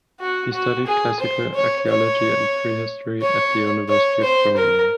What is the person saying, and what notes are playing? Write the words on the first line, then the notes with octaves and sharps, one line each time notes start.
He studied classical archaeology and prehistory at the University of Groningen.
F#4
F#4
G#4
C5
C#5
C#5
C#5
C#5
C5
A#4